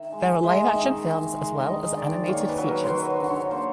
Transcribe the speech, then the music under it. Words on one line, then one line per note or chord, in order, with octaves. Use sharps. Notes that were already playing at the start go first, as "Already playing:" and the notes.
There are live action films as well as animated features.
Already playing: D#3 E5
G#3
G#3 E5
D#5
E5
D#3
D#3
G#3
D#3 D#5
D#3 D5
A#3 C#5
B4
F#3
A#4
C5
F#3 B4
C5
D3
C#5
A#3 C5